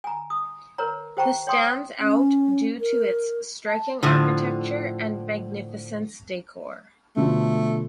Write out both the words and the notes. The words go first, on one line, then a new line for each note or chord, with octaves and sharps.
The stands out due to its striking architecture and magnificence decor.
G#5 A#5
D#6
A#4 B4 C#5 A#5
G4 C5 G5 A5 A#5 C#6
C#5 G5 C6 D#6
C#4
A#4
A5
A2 D3 F3
B2 D3 F3 A3